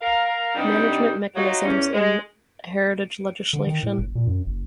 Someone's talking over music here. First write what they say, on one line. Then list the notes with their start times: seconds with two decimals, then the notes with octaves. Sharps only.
Management mechanisms in heritage legislation.
0.01 A#4 F5
0.55 C3 G3 B3 D4 D#4
1.35 F#3 D#4 F4 F#4
1.65 E2 C#4
1.93 G#3
3.53 D3
3.67 D#3
3.83 A2
3.98 F#1
4.15 A#2
4.27 F#2
4.46 F#1